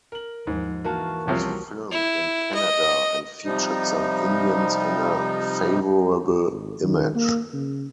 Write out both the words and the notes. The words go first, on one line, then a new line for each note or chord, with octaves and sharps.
It was filmed in Canada and featured some Indians in a favorable image.
A#4 F#7
D#2 G#2 F3
E3 A#3 F#4 A#4 A5
C2 C3 F3 G3 C#4 G4
E4
D#5
C3 F3 G3 D#4
G#1
D#3
A#3
C#3